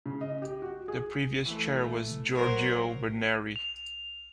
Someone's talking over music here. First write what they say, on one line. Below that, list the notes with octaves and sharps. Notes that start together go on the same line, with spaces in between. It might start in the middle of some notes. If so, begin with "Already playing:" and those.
The previous chair was Giorgio Veneri.
C#3
D#5
G4
F#4
G#4
E3 A3
F#3 A#4 C5
F7